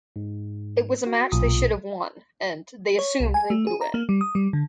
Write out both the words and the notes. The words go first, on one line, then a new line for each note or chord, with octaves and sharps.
It was a match they should have won, and they assumed they would win.
G#2
F#4
B1 A#2 F4 D#6
C#5
C2
G#5
A3
G#4
A#5
A#3
G3
D#6
G3
D3